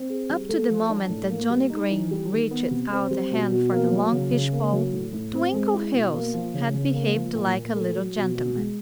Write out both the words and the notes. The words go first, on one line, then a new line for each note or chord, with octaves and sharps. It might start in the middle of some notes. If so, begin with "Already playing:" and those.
Up to the moment that Johnnie Green reached out a hand for the long fish pole Twinkleheels had behaved like a little gentleman.
Already playing: C4
G#4
G3
A3
F3
D4
A2
A#3
G3
D#4
E3
G3
D#3
B3
C3
C4
G3
B2
B2
A#3
F#3
C#3
C#3
A#3
F#3
A2
A2
C4
G#3
E4
B2
A#3
F3
C#3
C#3
A#3
F3
A#2
A#2
A3
F#3
B2
B2
G#3